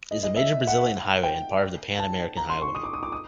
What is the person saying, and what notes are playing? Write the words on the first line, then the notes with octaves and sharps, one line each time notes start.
It is a major Brazilian highway and part of the Pan-American Highway.
D#5
D#5
E5
F#5
G5
A5
A#5
C6
C#6
D#6
D6
D#6
D6
D#6